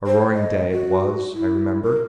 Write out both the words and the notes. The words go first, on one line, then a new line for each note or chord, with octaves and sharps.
A roaring day it was, I remember....
C5
D#5
F#4
E4
A#4